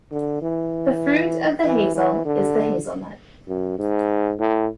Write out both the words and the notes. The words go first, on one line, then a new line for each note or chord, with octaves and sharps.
The fruit of the hazel is the hazelnut.
D3
E3
E3
E3
D3
F#2
G#2
A2